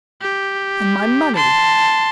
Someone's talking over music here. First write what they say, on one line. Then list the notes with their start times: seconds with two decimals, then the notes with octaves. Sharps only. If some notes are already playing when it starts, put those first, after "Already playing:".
And my money!
0.22 G4
1.36 A5 C6